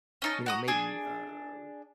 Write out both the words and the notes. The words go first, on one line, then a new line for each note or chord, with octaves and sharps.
you know, maybe, um,
C#4 D#4 A5
F#4 A#5 D#6
D4 G#4 G#5